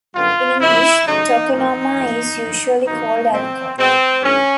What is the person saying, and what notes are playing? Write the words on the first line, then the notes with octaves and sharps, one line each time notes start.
In English, "tokonoma" is usually called alcove.
F#2 D3 G3 B3 F4
C#3 F3 A#3 E4
C#3 F#3 A3 D#4
A2 F3 A#3 D#4
G#2 F3 A3
F#2 D3 F3
G2 D#3 F#3 A#3 D#4
A#2 F#3 A3 C4
B2 G#3 B3 C4
G2 E3 A3 C#4